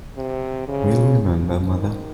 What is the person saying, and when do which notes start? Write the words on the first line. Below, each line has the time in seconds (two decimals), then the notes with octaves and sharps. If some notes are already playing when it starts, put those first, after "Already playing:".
We'll remember, mother!
0.17 C3
0.68 C#3
1.68 D#3